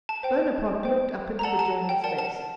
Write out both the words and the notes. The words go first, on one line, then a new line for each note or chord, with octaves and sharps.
Bonaparte looked up into the German's face.
A5
C5 G5
C5 G5
A#5
A4 D5 F#5 A5
A5
G5
A#4 D5 F#5 A5
A5